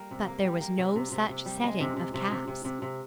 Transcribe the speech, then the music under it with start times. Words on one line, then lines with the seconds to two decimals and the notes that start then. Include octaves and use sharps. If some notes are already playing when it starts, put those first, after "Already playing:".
But there was no such setting of caps.
Already playing: G3 A#3
0.11 C3
0.28 A#3
0.44 G3
0.61 A#3
0.78 C3
0.96 C3
1.12 C3
1.29 C3
1.46 G3
1.63 G#3
1.80 C3
1.97 C3
2.14 C3
2.31 C3
2.48 C3
2.65 C3
2.82 C3